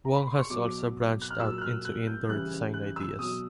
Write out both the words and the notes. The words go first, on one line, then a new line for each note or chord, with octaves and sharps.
Wong has also branched out into indoor design ideas.
A#5
B5
C6
C#6
B2 F#3 D6
F#6
F6
A#2 F#3 E6
F#6
F6
F#6
G6
C#3 E3 G3 F#6
F#6
E6
B2 F#3 D#6